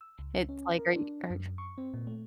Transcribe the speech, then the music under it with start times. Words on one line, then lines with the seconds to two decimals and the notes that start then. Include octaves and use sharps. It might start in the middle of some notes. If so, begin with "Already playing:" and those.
It's like, "Are are
0.01 E6
0.19 C#2
0.49 C#4
0.79 A#4
0.96 D4
1.30 F#2
1.58 C#6
1.78 C4
1.94 A#2
2.07 A3